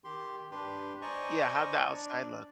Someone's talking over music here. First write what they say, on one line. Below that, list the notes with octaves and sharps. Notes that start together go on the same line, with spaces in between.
Yeah, how'd the outside look?
D#3 G4 C6
G2 D4 G4 B4 C6
C5 D5 D#5 G#5 A#5 C#6
D4 D5